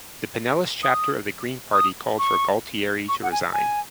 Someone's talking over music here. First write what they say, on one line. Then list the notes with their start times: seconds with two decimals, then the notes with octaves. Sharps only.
The Pinellas chapter of the Green Party called for Gualtieri to resign.
0.83 D#6
1.73 D#6
2.19 C#6
3.08 C#6
3.23 F#5
3.32 G#5
3.53 G#5